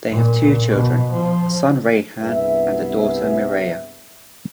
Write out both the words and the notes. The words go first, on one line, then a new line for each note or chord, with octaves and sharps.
They have two children; a son Raihan and a daughter Miraya.
A#2
B2
F3
C2 G2 B3 G#4 B4 E5